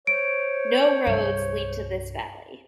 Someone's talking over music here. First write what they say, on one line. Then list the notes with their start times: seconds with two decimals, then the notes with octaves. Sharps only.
No roads lead to this valley.
0.07 C5 C#5 D7
1.06 C2 G2